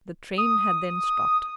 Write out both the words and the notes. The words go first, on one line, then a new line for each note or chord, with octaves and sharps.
The train had then stopped.
D#6